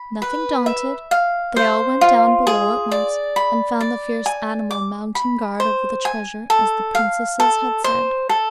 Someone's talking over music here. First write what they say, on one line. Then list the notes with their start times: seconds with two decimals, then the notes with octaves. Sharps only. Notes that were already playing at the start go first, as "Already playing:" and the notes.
Nothing daunted, they all went down below at once, and found the fierce animal mounting guard over the treasure as the princesses had said.
Already playing: B5
0.22 B4
0.66 E5
1.11 F5
1.56 C5
2.01 F4
2.47 G#4
2.92 D5
3.36 B5
3.80 D5
4.26 G#5
4.71 D6
5.15 B5
5.60 C5
6.05 G#5
6.50 A4
6.95 F5
7.40 A4
7.84 C5
8.29 A4